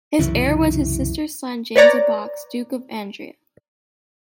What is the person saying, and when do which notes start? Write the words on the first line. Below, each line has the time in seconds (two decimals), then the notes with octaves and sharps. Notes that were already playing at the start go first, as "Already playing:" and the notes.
His heir was his sister's son James of Baux, Duke of Andria.
0.19 C2 F#2 C#3 E3
1.76 B4 C#5 D5 A#5